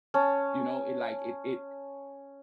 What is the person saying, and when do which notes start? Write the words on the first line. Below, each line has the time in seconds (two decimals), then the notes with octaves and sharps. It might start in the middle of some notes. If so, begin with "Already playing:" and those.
You know, it like it it
0.14 C#4 A5